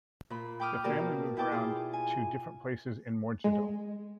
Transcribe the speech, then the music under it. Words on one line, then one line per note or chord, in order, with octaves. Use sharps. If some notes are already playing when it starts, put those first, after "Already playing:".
The family moved around to different places in Morgedal.
A#2 B5
G5 B5 D6 D#6 F6
B2 A#3 G4 A#4 D5 A5
E4 G5 A5 D6
E4 F4 G#4
G#5
G#3